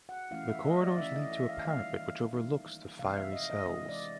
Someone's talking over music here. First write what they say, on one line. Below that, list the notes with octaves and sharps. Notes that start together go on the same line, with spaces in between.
The corridors lead to a parapet which overlooks the fiery cells.
F#5
E3 A3 C#4 E4 F5
E5
D#5
D5
E3 A3 C#4 E4 E5
D#5
E5
F5
D#3 G3 A#3 D#4 F5
D#3 G3 A#3 D#4
C3 E3 G#3 C4 F5
E5
D#5
D#5
C3 E3 G#3 C4 D#5
D5